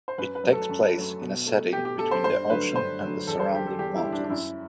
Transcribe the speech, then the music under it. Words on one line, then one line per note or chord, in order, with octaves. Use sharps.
It takes place in a setting between the ocean and the surrounding mountains.
C5
F#2 B4
B4
F#3 A3
A4
F#2
F#3 A3
B2
A3
B2 G4
G4
A3 A4
C5
G2 C5
D3 F#3 A3 B4
G2 C5
D3 F#3 A3
E2 A4
C5
D3 G3 G4
A4
E2 G4
E4
D3 G3
D4
D4
F#2 E4